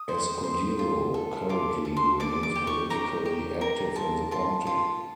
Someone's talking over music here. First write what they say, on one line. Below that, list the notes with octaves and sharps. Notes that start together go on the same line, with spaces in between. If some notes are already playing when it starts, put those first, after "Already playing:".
Escudero currently remains politically active in the party.
Already playing: D#6
C5
C5
F4
A4
F4 D6
A4
C6
D5 D6
D6
G4
C#6
G4 A#5
G4
A#4 A#5
F4 A5
F4 A5
F4